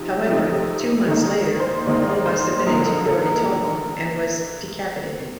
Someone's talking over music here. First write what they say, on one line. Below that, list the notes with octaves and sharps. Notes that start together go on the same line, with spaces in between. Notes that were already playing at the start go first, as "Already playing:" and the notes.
However, two months later, Oba submitted to Yoritomo and was decapitated.
Already playing: C3 F3 D#4
C3 F3 A3 C4 D#4
D#3 A#3 D#4 A4
C5
D#3 A#3 D#4 D5
C5
D3 F3 A#3 D#4 A#4
A4
A4
A#4